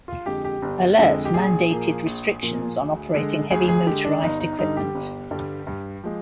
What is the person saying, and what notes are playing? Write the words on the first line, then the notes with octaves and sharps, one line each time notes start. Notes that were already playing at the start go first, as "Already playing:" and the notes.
Alerts mandated restrictions on operating heavy motorized equipment.
F4
F2 D3 G#3 G4
G4
G1
F2 D3 G#3
G4
A#1 G#4
A#2 F3 A#3
A#1
A#2 F3 A#3
D2
D3 G#3
D2 G#4
G#4
D3 G#3 G4
D4
G1 D#4
D#4
G2 D3 G3 D#4
G4
G1
G2 D3 G3
G2
F3 G#3